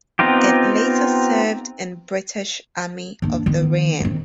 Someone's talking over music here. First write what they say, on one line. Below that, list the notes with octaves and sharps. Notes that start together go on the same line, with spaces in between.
It later served in British Army of the Rhine.
B3 C4 D#4 F4 G4
D#2 D4
D#3 B3
D#3 C4